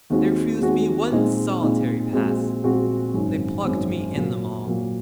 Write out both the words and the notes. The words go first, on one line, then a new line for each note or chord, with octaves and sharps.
They refused me one solitary "pass." They "plucked" me in them all.
D#2 D#3 G#3 C4 F#4
D#2 D#3 G#3 C4 F#4
A#2 G#3 C4 D#4
A#2 G#3 C4 D#4
A#1 A#2 G#3 C4 F#4
A#1 A#2 G#3 C4 F#4
G#1 F#2 D#3
G#1 F#2 D#3
A#2 F#3 A#3
A#2 F#3 A#3